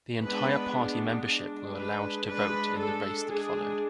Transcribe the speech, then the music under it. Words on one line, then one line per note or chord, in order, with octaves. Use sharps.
The entire party membership were allowed to vote in the race that followed.
G#3 B3 D4 B4
G#3 D4
B4
G#3 D4 B4
A4
G#3 D4 G#4